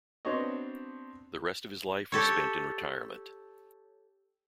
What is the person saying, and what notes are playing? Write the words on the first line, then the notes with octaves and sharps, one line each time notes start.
The rest of his life was spent in retirement.
B3 C4 D4 F#4 C#5 D#5
G4 A4 C#5